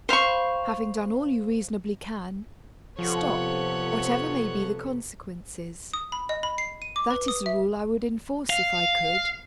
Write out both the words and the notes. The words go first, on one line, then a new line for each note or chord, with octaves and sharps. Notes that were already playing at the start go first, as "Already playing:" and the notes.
Having done all you reasonably can, stop, whatever may be the consequences. That is a rule I would enforce if I could.
C5 F5 B5 C#6
F2 C3 F3 B3 A4 C#5 F#5
D#6
B5
D#5
B5
C7
D#7
D6
B4
D#6
E5
F5